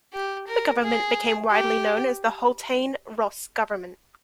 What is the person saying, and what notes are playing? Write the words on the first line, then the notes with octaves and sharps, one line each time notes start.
The government became widely known as the Haultain-Ross government.
G4
A#4
G#4
G4